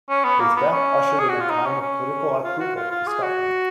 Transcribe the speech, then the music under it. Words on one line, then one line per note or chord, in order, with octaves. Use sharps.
His death ushered in a time of political upheaval for Scotland.
C#4
B3
A#3
B3
C#4
G#4
F#4
F4
D#4
C#4
C#4
F4
F#4
F4
F4
G#4
F#4